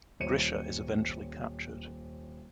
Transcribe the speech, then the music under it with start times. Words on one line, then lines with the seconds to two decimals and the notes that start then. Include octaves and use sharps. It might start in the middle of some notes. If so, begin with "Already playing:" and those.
Grischa is eventually captured.
0.20 D#1 C5 C#5 C#7 D#7